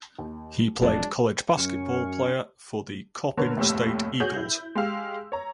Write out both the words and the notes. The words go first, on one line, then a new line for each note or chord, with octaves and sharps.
He played college basketball player for the Coppin State Eagles.
D#2
E1 F2 A2 F#3 G#3 D4 E4
F#2 C#4
D3 A#4 B4 C#5
F1 D#2 A2 G4 C#5 E6
F#4 G#4 C#5 G6 F#7
E4
G#3 G4 F5 E6
C#5 A#5